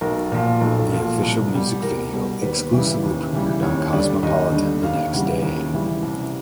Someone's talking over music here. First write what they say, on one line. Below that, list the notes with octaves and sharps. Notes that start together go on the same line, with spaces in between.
The official music video exclusively premiered on Cosmopolitan the next day.
B1 A#4
A#2 F3
B1 A4
A#2 F3
C2
B2 G3
C2 A#4
B2 G3
D#2 B4
C#3 E3 G3
D#2
C#3 E3 G3
D#2 C#5
D3 G3 D5
D#2 D#5
D3 G3
D#2 F5
C#3 E3 G3 F#5
D#2
C#3 E3 G3
C2